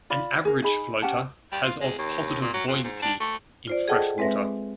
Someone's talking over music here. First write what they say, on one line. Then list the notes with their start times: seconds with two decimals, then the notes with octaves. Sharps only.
An average floater has of positive buoyancy in fresh water.
0.10 F4 D5 B5
0.45 G#4 A#4
0.62 D#4 G#4 B5
1.02 C#4 G4 F#5 A5
1.52 G3
1.64 F4
1.81 G#3
1.98 D#2
2.41 A#2
2.53 F#3
2.68 F2
2.84 G#2
3.02 D4
3.20 A3
3.67 F4 C5 D5
3.88 G#4 A4 D#5 F#5 G5 A5
4.18 G#3 C4 B4 E5 A#6